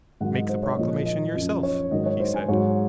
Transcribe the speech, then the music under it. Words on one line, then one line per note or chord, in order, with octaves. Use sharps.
Make the proclamation yourself, he said.
G#2 D#3 F#3 F#5
D#5
C5
C#5
A#2 F3 D#5
D#5
F#2 F3 D#5
C#5
G#2 D#3 F#3 D#5
C#5
C5
G#5
G#2 F#3 C#5